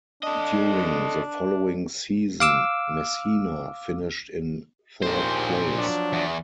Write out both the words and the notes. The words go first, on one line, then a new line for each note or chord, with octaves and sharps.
During the following season, Messina finished in third place.
D4 A4 D#5
F5 D6 E6
A#1 D#2 A#2 C5
F3 F#3 D4
E2